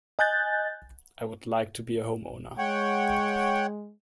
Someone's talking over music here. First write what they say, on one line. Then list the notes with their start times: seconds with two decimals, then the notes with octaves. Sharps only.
I would like to be a homeowner.
0.19 D#5 G#5 F#6 G6 A6
2.58 G#3 C#5 F#5 G5